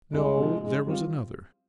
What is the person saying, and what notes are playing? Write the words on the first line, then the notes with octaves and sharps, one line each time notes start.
'No there was another.
C2 G#3
C3 F3
G#2 G#3
G3 C4 F4